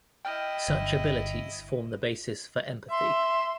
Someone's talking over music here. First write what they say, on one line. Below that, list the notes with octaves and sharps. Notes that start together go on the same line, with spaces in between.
Such abilities form the basis for empathy.
E4 D#5 G5 F6
G1
E5 C6